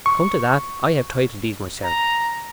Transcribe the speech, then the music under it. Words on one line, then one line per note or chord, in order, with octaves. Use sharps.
Come to that, I have title-deeds myself.
C#6
A#5